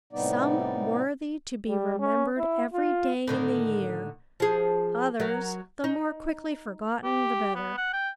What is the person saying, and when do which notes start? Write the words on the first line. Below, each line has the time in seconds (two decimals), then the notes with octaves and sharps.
Some worthy to be remembered every day in the year, others the more quickly forgotten the better.
0.13 A2 C3 G3 B3 D#4 D5
1.68 G3
2.00 C#4
2.38 E4
2.74 F4
3.27 A2 D3 D#3
4.40 F3 G#4
5.20 F#3 A#4
5.84 D#4
7.04 G4
7.55 B3
7.78 F#5
7.93 G5